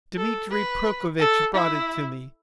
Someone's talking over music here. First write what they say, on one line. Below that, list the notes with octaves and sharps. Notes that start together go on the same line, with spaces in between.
Dmitri Prokofitch brought it to me.
A4
B4
A4
E4